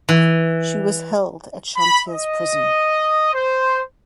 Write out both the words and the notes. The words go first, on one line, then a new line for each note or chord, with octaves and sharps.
She was held at Chantiers prison.
E3
B5
D#5
C5